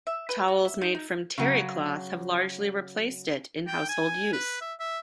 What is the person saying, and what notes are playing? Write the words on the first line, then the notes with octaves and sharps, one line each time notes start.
Towels made from terry cloth have largely replaced it in household use.
E5
B4
F#4
E5
D#4
D#4
C#3 F#3
G5
G#5
B4
E5
E5